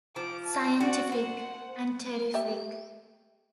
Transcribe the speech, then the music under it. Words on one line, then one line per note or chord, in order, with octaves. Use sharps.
Scientific and terrific.
F3 D6
A5
F#4 D5
C5 F#5
G4 E5